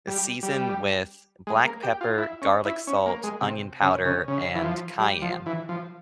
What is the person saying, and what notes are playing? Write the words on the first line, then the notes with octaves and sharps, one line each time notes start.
Uh, season with black pepper, garlic salt, onion powder, and cayenne.
G3
G3
G#3
A#3
G4
F4
E4
C#4
E4
C#4
A#3
G#3
C3
C#3
C#3
C#3
E3
F3
G3
F3
E3
F3